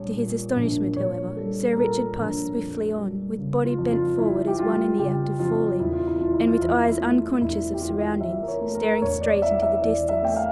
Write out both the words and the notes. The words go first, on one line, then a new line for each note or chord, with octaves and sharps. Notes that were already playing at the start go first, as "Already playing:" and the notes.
To his astonishment, however, Sir Richard passed swiftly on, with body bent forward as one in the act of falling, and with eyes unconscious of surroundings, staring straight into the distance.
Already playing: A#1 G3 C#5
A#2
A#1
A#1 C#5
G3 A4
A#4
A#2 A4
A#1
F2
G3
C#3
F4
F2
F4
F2 E4
G4
G3 F4
C#3 G4
F2 F4
E1 E4
F4
E4
E3 F4
E4
F4
E2 E4
F4
E4
A3
E1 E4
G4
E3 F4
E2 E5
A#4
C#5
A3
A#4
E1 C#5
D5
E3 E5
E5
E2 D5
E5
A3 G5
F5